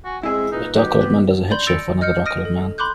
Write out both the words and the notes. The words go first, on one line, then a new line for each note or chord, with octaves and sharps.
A dark colored man does a head shave for another dark colored man.
F#4 G#5
G#3 C4 E4 G#4 E5
A#2 D#4 B4
F#3 D#4 G4
B3 C4
D5 B5 C6 G6 F#7 G7
E6 A6 A#6 C#7 D7 F7
D#5 F6 G6 C#7
D#6 F6 A#6 D7 D#7
A4
B5 C6 D6 F#6 G6